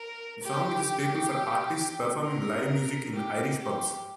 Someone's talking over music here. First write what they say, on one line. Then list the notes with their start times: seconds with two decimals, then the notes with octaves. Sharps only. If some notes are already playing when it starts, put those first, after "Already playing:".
The song is a staple for artists performing live music in Irish pubs.
Already playing: A#4
0.43 G4
2.24 A#4
3.15 G4
3.59 G4